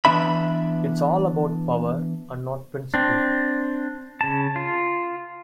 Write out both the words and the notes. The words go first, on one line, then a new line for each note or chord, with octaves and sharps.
It's all about power and not principle.
E3 F3 B3 D4 E5 B5
C4 D4
C#3 A5
F4